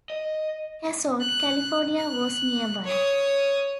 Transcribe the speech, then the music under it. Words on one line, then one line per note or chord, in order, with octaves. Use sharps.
Kasson, California was nearby.
D#5
F#6
F#6
C#5 D#6